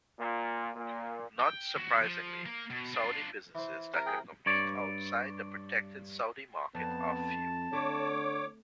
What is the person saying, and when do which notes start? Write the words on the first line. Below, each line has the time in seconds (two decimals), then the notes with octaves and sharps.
Not surprisingly, Saudi businesses that can compete outside the protected Saudi market are few.
0.20 A#2
0.75 A#2
1.40 G5
1.75 D#2 F#4
2.04 F3
2.46 A#3 A#4
2.70 B2
2.95 D4 F4
3.55 E3 C5
3.94 C3 A#4
4.06 G#4 G5
4.46 G2 C#5 D5
6.75 F2 B3 A5
7.73 D3 A3 C#5 D6